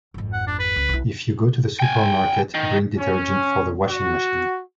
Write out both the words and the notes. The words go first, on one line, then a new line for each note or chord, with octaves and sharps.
If you go to the supermarket, bring detergent for the washing machine.
G#1 F2
F#5
D4
B4
C#2
B1 E4
G5 G#5
D#3
C#4
F#4